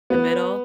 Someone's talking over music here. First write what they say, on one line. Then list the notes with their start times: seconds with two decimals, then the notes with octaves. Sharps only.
the middle?
0.10 B3